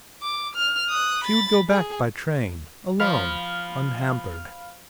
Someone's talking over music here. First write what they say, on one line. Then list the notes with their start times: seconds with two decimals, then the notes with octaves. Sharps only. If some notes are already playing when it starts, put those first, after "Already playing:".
She would go back by train, alone, unhampered.
0.22 D6
0.55 F6
0.89 D#6 F#6
1.24 B5 A6
1.68 G#4
3.00 F3 F5 B5 F6